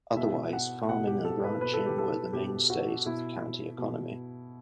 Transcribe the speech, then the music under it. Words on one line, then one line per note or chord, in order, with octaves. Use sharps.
Otherwise, farming and ranching were the mainstays of the county economy.
B2 E5
F#5
B2 F#5
G4
A4
B4
B2 B4
A4
G4
A4
B2 G4
F#4
B2 E4
B2